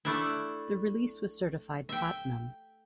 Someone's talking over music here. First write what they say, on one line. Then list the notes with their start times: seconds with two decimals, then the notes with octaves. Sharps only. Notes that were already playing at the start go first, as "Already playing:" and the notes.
The release was certified platinum.
0.05 A3 D4 E4
1.89 E5 G5